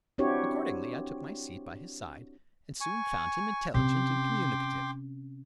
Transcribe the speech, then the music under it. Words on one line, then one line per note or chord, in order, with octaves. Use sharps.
Accordingly I took my seat by his side, and soon found him intelligent and communicative.
C4 D4 E4 F#4 G4 C#5
G#5 C#6
C3 C#4 G5 C6 D6